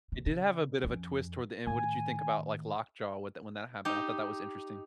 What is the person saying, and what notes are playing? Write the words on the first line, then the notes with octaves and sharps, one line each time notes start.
It did have a bit of a twist toward the end, what did you think about, like, Lockjaw with the when that happened? I thought that was interesting.
C#3
C#3
F2 C#4
A2 D#3 G#5
D#4 G4